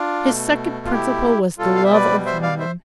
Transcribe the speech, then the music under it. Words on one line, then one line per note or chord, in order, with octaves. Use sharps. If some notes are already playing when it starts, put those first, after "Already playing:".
His second principle was the love of woman.
Already playing: D4 F4
B2 A3
F4
E4 G4
B2 G3 F4 A4
F5
E5
B4 D5
C5 E5
D5 F5
C5 E5